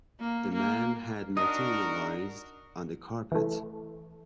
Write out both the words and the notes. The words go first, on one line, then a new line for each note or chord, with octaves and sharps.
The man had materialized on the carpet.
A#3
A#3
D4 D#4 F#4 A#4 D#5
E3 A3